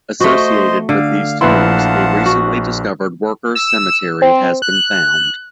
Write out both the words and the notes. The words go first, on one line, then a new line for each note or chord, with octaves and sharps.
Associated with these tombs a recently discovered workers cemetery has been found.
A3 F#4 C5 D#5 C6
D3 F5
A#1 E4 B4 F5 F#5 A5 C6
F#4
E6
C4
F#6